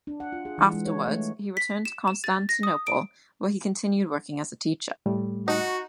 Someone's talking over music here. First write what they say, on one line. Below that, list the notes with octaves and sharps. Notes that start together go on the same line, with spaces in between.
Afterwards he returned to Constantinople, where he continued working as a teacher.
D4
F#5
F4
G#4
E3
G#3
C#5
A3
B6
E7
E7
A6
A#6
D#6
D7
A2 G3 A3
D#4 F#4